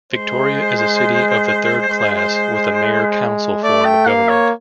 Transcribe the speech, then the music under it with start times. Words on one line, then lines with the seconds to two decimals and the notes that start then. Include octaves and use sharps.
Victoria is a city of the third class with a mayor-council form of government.
0.13 G#3 C5
1.88 G#3
3.63 A3 D5
3.85 G5
4.07 A#3 F5
4.29 C#5